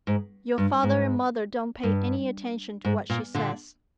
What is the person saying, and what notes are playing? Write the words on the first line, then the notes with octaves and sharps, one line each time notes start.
Your father and mother don't pay any attention to what she says.
G#2
G2
G#2
G2
G#2
A#2
A#2 D3